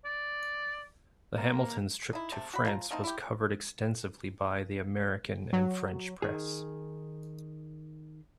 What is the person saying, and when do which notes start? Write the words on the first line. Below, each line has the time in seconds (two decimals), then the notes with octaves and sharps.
The Hamiltons' trip to France was covered extensively by the American and French press.
0.05 D5
1.38 A#3
2.13 D#4 E4
2.32 C3 A3
2.53 F#4 B5
2.65 F3 F4 A#5
2.91 A3 A#3 C4 D#4
3.04 E4 G4
5.53 F#3
6.22 D#3 G#4